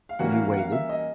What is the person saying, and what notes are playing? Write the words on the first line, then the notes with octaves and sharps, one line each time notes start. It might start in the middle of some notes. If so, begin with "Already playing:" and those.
You waited.
F5
E3 G3 A#3 C#4 F#4 F#5
F5
F5
F#5
F5
E5
D#5